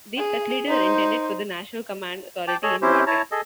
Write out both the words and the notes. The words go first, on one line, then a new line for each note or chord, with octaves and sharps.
These facilities are intended for the national command authority in wartime.
G#4
D#4 C5
G5 A5 D6
G#4 A4 C#5 D#5
C4 C#4 E4 G4 C5
E4 C#5 A5 A#5
G#4 A4 D#5